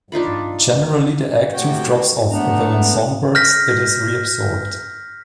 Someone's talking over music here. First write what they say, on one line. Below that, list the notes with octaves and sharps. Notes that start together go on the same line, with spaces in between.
Generally, the egg tooth drops off, though in songbirds it is reabsorbed.
D4 D#4 F4 B5
A2 C3 F#4 G5
A3 B3 D4 A#5
F6 G6 A#6 B6